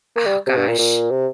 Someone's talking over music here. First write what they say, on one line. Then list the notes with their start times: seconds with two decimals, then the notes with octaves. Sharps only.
Oh gosh.
0.16 A#3
0.26 G3
0.47 C3
0.58 G2
0.68 A#2
0.79 A#2
1.10 C3